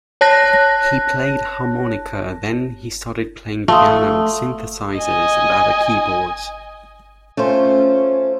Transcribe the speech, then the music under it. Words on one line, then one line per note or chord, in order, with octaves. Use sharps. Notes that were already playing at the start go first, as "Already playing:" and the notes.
He played harmonica, then he started playing piano, synthesizers and other keyboards.
C#5 A5 F#6 A#6
A3 F5 C6 D#6
D#5 G#5
A3 C#4 F4 C5